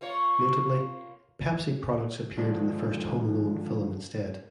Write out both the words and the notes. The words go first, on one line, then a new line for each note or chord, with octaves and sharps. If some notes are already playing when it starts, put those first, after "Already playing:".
Notably, Pepsi products appeared in the first "Home Alone" film instead.
A#3 F4 C#5
D3 D#3 F3 G#3 D4